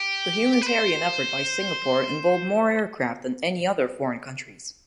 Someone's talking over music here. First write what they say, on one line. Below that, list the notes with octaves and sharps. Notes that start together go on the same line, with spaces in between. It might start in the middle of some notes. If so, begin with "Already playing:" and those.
The humanitarian effort by Singapore involved more aircraft than any other foreign countries.
Already playing: G4
B4
C5